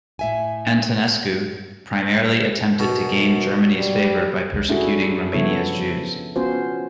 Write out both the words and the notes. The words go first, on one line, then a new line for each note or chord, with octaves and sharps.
Antonescu primarily attempted to gain Germany's favor by persecuting Romania's Jews.
A2 E5 G#5
F#2 B2
G3
C#4 D4 E4 F#4 G#4 A4
C#3 F3 B3 E4 A4 C#5
B3 C#4 F4 F#4 C5